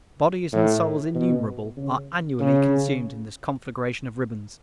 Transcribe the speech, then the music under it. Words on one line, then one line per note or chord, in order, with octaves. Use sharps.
Bodies and souls innumerable are annually consumed in this conflagration of ribbons.
A2
B2
C#3
C#3